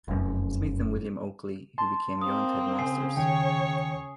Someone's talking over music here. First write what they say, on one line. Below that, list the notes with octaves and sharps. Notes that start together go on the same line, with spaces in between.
Smith and William Oakley, who became joint headmasters.
F1 F#2
A5 C6
A#3 C4 D#6
C#3 G#5 C7
D#2 D#3 C#5 G5 C#6